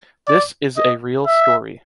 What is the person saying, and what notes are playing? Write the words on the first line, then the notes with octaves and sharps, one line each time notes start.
This is a real story.
D5
D#5
E5